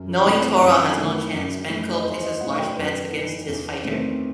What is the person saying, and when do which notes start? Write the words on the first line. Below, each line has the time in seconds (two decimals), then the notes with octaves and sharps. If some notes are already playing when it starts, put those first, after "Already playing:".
Knowing Toro has no chance, Benko places large bets against his fighter.
Already playing: F#2
0.24 E3 A3 C4
0.61 F#2 F#5
0.96 D#3 A3 E4
1.32 F#2
1.69 E3 A3 D#4
1.95 D#5
2.04 E2 C5
2.23 D#5
2.40 B2 F#3 A3 D#4 F#5
2.58 G5
2.76 F#2 B4
3.12 E3 B3 D#4
3.49 E2
3.84 D#3 A3 C4